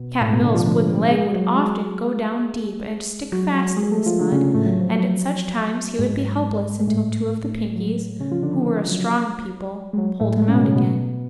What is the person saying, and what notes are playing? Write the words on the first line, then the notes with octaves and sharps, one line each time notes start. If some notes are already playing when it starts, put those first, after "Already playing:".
Cap'n Bill's wooden leg would often go down deep and stick fast in this mud, and at such times he would be helpless until two of the Pinkies--who were a strong people--pulled him out again.
Already playing: B2 B3
A2 A3
B2 B3
D3 D4
F3 F4
D3 D4
G#3 G#4
F#3 F#4
G#3 G#4
F#3 F#4
F#3 F#4
G#3 G#4
A3 A4
F3 F4
D3 D4
C#3 C#4
C#3 C#4
A2 A3
F#3
F3
F#3
G#2 G#3
G#3
A2 A3
F#3
C#3 C#4
F3 F4
D3 D4
F3
F3
F#3
F#3
F#3
G#3
F#3
A2 A3
G#3
A2 A3
C#4
B2 B3
C#3 C#4
B2 B3